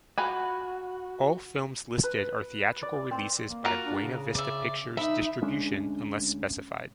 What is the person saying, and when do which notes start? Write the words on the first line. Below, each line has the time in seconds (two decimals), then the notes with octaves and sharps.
All films listed are theatrical releases by Buena Vista Pictures Distribution unless specified.
0.18 F4 F#4 B4 G#5
2.03 B4
2.83 D5
3.11 C4
3.46 A#3
3.65 F4 F#4 A#4
3.85 D4
4.03 C#3
4.35 D5 E5
4.97 D#4 E5 B5
5.42 D2 G#3 C#4 D4